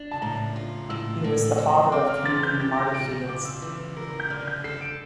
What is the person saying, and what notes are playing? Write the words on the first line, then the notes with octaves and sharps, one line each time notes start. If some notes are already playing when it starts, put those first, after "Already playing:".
He was the father of comedian Marty Fields.
Already playing: D4
A5
A2 A#5
F4
A2 E6
A2
F2
A#5
C6
C4 D6
F6
E3 A6
G6
G4 A6
A#6
A#2 D7
F4 D6
E6
E3
A#4
G6
D3 F6
G6
A4 C7
D7